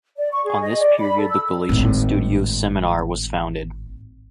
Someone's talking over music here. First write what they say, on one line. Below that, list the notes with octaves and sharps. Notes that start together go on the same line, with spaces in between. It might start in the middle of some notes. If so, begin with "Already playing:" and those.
On this period the Galician Studies Seminar was founded.
D5
C#6
G#4
D#5
D5
B5
A4
E6
G#1 A2